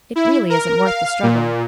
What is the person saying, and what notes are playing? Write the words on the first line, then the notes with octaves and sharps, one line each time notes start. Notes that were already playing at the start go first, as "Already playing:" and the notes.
"It really isn't worth the struggle."
E4
A#4
F5
A#2